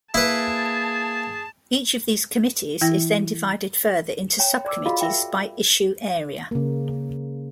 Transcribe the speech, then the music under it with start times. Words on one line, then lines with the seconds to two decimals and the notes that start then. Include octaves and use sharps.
Each of these committees is then divided further into sub-committees by issue area.
0.14 A#3 E4 G#4 B4 A5
2.81 E3 E4 G5 A#6
4.39 C#5 G5 A#5
4.65 D5 A#5 D6 E6
4.86 F4 F#4 G#4 D#5 F5 B5
5.01 A#4 E5 G5
6.51 C#3 A#3